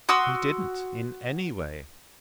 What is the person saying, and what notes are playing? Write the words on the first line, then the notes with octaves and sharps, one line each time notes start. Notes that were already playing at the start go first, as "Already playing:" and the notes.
"He didn't--in any way."
F#4 C6 D#6 E6